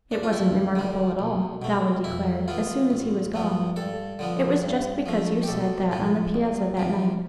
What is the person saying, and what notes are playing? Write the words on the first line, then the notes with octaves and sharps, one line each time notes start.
"It wasn't remarkable at all," Dolly declared, as soon as he was gone. "It was just because you said that on the piazza that night."
D4
F4
G2 E4
D3 G3
B1
B2 A3
F2 E4
E3 B3 F4
A1
G2 F3 B3
G2 A4
D3 F3 B3
G2
F3 A3
G4
B1 A4
A2 F3
C2
C3 F3